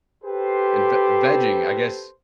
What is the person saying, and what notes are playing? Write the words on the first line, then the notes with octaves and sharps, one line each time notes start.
and v vegging, I guess,
G4 A4 B4 C5